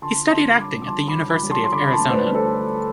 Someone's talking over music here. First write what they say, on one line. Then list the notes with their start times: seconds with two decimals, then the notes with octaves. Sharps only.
He studied acting at the University of Arizona.
0.02 D3 A5 C6
0.30 D3 A5 C6
0.58 G3 B5 D6
0.82 D6
0.87 G3 A5 C6
1.08 B5 D6
1.15 D3
1.29 B5 D6
1.43 G3
1.50 A5 C6
1.64 C6
1.71 D3 B5 D6
1.87 B5
1.92 A5 C6
1.99 D2
2.10 C5
2.13 B4 D5
2.28 G3
2.34 A4 C5
2.56 D4